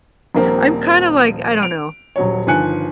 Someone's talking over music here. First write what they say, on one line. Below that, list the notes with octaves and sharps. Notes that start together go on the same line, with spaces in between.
I'm kinda, like, I don't know.
D#1 A#1 A#3 C4
D7 F7
D#1 F#3 C#5
G1 D#3 F3 G#5 F#6 C#7